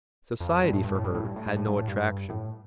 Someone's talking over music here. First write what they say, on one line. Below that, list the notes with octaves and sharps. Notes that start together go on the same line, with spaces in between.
Society for her had no attractions.
F2
G2
A2
G2
A2
G2
A2
G2
A2
G2
A2
G2
A2
G2
A2